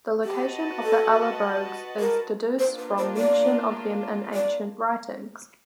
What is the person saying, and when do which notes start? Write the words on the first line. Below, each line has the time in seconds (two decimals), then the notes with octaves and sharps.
The location of the Allobroges is deduced from mention of them in ancient writings.
0.25 F#4 G4 B4 D#5 F#5 A5
0.83 A4
2.00 A#4
2.59 A#3 D4 F4 C5
2.78 B4
2.98 C5
3.17 D5
4.34 D5